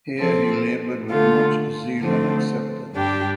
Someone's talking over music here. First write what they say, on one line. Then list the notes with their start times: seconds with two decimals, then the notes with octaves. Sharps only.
Here he laboured with much zeal and acceptance.
0.18 F3 C4 A4
1.10 D3 A3 F4 A4
2.01 D3 F3 A3 C4 A4
2.93 G2 G3 D4 G4